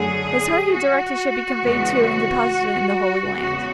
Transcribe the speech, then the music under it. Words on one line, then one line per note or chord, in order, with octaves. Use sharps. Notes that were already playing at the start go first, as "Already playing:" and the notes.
His heart he directed should be conveyed to and deposited in the Holy Land.
Already playing: F#2 D3 F#3 A3 G#4
F#4
E2 C#3 E3 G#3 B3
E2 C#3 G#3 B3 F#4